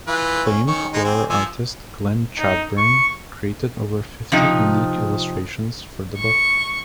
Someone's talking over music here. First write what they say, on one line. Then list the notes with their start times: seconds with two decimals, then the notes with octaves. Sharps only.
Acclaimed horror artist Glenn Chadbourne created over fifty unique illustrations for the book.
0.07 E3 F4 B4
0.45 C#4
0.67 D#3 C#4 C#6
0.93 D#3 G#3 D#4
1.04 C4 G#5
1.30 F3 G#5 E6
2.38 D#4
2.77 C#6
4.32 C3 F3 D#4
6.18 C#6